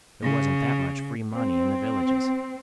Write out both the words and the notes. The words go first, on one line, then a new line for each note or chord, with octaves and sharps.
There wasn't that much free money in the villages.
C#3
C4